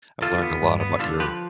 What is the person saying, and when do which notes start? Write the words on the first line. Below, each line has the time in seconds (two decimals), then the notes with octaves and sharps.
I've learned a lot about your
0.22 D3 F4 A4
0.42 B3
0.62 G2
0.80 B3
1.00 D3 F4 A4
1.19 F3 G4 B4